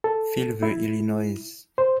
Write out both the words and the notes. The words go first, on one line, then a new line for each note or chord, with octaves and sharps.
Feel the Illinoise!
A4
E4
C5